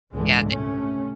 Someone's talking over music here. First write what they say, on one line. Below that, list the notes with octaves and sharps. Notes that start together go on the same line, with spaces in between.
Yea, they
G#1 C#2 A#2 D3 E3 G#3
C3 A3 C#4